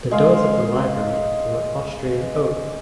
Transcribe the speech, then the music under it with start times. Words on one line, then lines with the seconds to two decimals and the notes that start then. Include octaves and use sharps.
The doors of the library were of Austrian oak.
0.11 G#3 F5